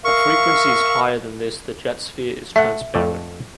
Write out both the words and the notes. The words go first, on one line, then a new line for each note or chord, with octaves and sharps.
At frequencies higher than this the jet sphere is transparent.
A#4 E5 F5 C#6
A3 E5 F#5
F2 A3 D5